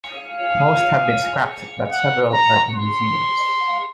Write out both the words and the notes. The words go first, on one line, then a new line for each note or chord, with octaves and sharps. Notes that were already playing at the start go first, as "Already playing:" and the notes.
Most have been scrapped, but several are in museums.
F5
F#5
A#5
C6